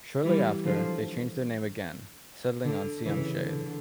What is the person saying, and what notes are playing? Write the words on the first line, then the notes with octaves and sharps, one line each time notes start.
Shortly after, they changed their name again, settling on Siam Shade.
E3 G3
D3 F3
D3
C#3 E3
D3